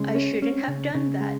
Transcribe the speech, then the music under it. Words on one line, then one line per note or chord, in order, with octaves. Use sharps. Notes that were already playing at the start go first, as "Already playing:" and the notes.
I shouldn't have done that!
Already playing: C#3 G#3
C#4
C#4
C#3
C#3
G#3